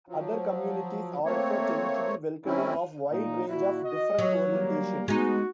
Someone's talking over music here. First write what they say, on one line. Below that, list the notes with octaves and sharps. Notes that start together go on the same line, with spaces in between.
Other communities also tend to be welcoming of wide range of different orientations.
F3 F#3
A3 A#3 C4 C#5
D#3 A3 C4 C#4 E4
A#2 A#3 D#4
A#2 E4 F#4
D#5
F#3 C#5
G3 A#3
G#3 B3 D#4 F#4